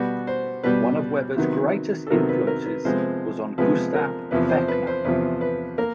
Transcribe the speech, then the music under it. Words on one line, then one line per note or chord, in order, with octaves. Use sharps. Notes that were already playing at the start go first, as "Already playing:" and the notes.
One of Weber's greatest influences was on Gustav Fechner.
Already playing: B2 G3 B3 F#4
C5
B2 G3 B3 B4
C3 D#3 F#3 B3
A4
C3 D#3 F#3 B3 A#4
B4
A#4
B4
C3 F3 G#3 B3 C5
C3 F3 G#3 B3 B4
A#4
E2 C3 F3 B4
C5
B4
C5
E2 C3 F3 B4
B4
A#3 A#4